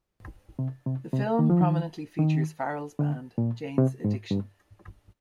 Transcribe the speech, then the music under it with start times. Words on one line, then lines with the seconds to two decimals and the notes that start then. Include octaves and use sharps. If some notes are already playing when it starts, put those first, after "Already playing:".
The film prominently features Farrell's band Jane's Addiction.
0.59 C3
0.86 C3
1.13 C3
1.39 D#3
1.50 F3
1.61 D#3
2.19 D#3
2.99 D3
3.38 A#2
3.78 C3
4.04 G#2
4.31 G2